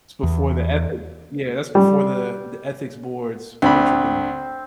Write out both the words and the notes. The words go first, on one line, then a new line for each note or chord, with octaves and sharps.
It's before the ethics Yeah, that's before the the ethics boards were introduced,
E2
G3
D2 C4 D4 B5